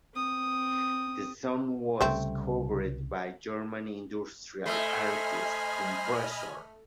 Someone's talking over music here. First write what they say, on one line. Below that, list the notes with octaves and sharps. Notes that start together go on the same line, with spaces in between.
The song was covered by German industrial artist Kompressor.
C4 D#6
C2 C#3 G3 A3 C4
A3 C5 D#5 G#5 B5 F6